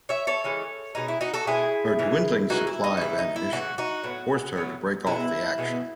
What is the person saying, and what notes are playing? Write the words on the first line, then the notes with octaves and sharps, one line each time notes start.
Her dwindling supply of ammunition forced her to break off the action.
C#5 E5
A4 C#5
E3 G#3 C#4
B2 G#3 C#4 D#4
E4
D#4 F#4
F#4 A4
B2 G#3 C#4 E4 G#4
C#3 E3 G#3
C#3 E3 G#3 D#4 F#4
E4
D#4
F#4
C#3 E3 A3 E4
D#4
E4
C#3 E3 A3 D#4 F#4
D#4 F#4
A2 F#3 B3
A2 F#3 B3
B2 G#3 B3 E4
B2 G#3 B3